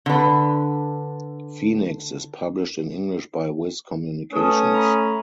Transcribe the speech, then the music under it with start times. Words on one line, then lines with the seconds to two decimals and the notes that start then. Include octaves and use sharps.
Phoenix is published in English by Viz Communications.
0.06 D3 B4
4.33 A3 C#4 B4 A5 D#6
4.74 A#5 B5